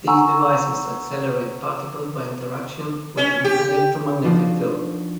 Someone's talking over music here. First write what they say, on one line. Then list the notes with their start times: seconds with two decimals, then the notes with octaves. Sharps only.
These devices accelerate particles by interaction with an electromagnetic field.
0.07 F#5 G#5 A#5 C#6 E6
3.17 C#4
3.44 G4
4.24 F3 D4 D#4 F4 F#4